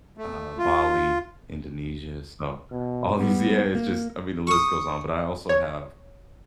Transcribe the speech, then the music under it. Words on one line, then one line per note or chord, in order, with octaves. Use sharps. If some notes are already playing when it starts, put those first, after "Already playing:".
um, Bali, Indonesia. So, all these yeah, it's just I mean, the list goes on. But I also have
A3
F4
B2
G3 B3
A#3
C#6 D#6
C#5